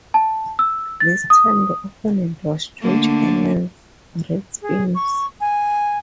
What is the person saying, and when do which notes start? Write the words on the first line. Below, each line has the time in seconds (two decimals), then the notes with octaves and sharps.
This time, the opponent was George Allen's Redskins.
0.14 A5
0.59 E6
1.00 A6
1.30 D#6
2.81 D3 A3 A#3
4.62 G#4
4.95 C#6
5.41 G#5